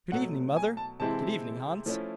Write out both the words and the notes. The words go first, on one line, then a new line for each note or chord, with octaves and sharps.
'Good evening, mother.' 'Good evening, Hans.
B2 F#3 A3 F#5
G#5
A5
C3 E3 G#3 C4 E4 A5
F3 A3 C#4 E4